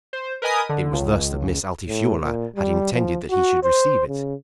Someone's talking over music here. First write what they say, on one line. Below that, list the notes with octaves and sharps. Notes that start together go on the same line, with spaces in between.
It was thus that Miss Altifiorla had intended that he should receive it.
C5
A#4 B4 D#5 G#5 D#6
D3
C#2
A2
A#2
G3
F3
F#4
C5
C#3